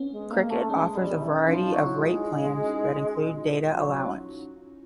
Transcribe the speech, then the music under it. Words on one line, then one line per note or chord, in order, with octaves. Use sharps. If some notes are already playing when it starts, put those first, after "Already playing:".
Cricket offers a variety of rate plans that include data allowance.
Already playing: B3 C#4
G#3
A#3
A3
G#3 B3 C#4
G3
D#3
E3
F3 C#4 D#4
D#4 F4
F#3
E4 F#4
G#3
E4 F#4
D#4 F4
C#4 D#4
F3
F#3